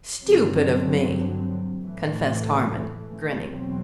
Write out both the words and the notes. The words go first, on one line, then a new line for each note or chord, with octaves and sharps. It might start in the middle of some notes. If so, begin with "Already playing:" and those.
"Stupid of me," confessed Harmon, grinning.
G2 D3 F#3 C4
A2 E3 A3
E2 B2 F#3 C4